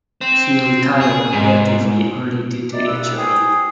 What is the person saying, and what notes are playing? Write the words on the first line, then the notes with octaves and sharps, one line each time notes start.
He retired relatively early due to injury.
C4
G#4
G#2
D#4 E4 G4 D5
C2 G2 C3 B3 E6
G4 G#4 C5 G#5 C6 D#6